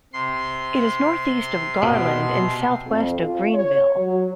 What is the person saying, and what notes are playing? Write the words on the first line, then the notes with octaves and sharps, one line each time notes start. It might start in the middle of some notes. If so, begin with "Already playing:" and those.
It is northeast of Garland and southwest of Greenville.
C3 C6
B2
F2
F4
C#5
F#3